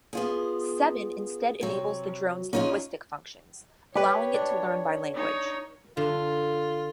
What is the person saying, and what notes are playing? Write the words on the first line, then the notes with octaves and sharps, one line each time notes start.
Seven instead enables the drone's linguistic functions, allowing it to learn by language.
B3 F4 G#4
C3 F#3
C#4 D#4 F4 F#4 G#4
G4 B4 C#5
D4
D#4 C#5
D3 F4